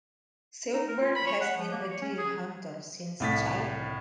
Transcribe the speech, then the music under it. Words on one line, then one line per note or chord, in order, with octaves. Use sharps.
Seubert has been a deer hunter since childhood.
D#4
A#4
F4
B5
C#5
F#5
F3
A#3
C#5
C#4
G#4
C2 A2 A6 B6